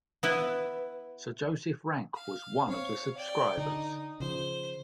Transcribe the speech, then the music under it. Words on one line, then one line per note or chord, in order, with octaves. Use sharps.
Sir Joseph Rank was one of the subscribers.
B3 E4 B4
F5
C4 C#5 F5
D5 G5
D3 D#4
C#3 F3 C5